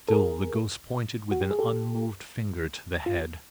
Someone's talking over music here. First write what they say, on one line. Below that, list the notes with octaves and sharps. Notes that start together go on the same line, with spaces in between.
Still the Ghost pointed with an unmoved finger to the head.
A4
G#4 A#4
F#4
G4
G#4
G4 A4
F4